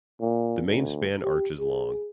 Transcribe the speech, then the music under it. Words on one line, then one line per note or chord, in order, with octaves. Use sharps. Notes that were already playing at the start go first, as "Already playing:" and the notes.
The main span arch is long.
A#2
D2
G4
G#4